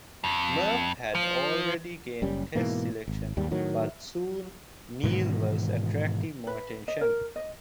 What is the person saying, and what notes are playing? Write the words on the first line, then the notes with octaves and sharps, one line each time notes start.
Merv had already gained Test selection, but soon Neil was attracting more attention.
F2
F3
F#1 G3 C#4
G#2 B2 E3 A#3
G#1
D#2 G#2 G3
A2 D#3 F#3
G#2 B2 D#3 E3
B4
D#5
A#4
D#5